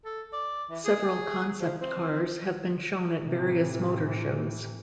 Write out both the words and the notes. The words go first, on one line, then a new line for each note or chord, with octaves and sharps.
Several concept cars have been shown at various motor shows.
A4
D5
E3
G#4
F3
C4
A2 C3 E3